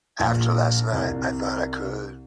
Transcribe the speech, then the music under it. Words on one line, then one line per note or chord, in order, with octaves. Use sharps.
After last night, I thought I could.
A#1
C2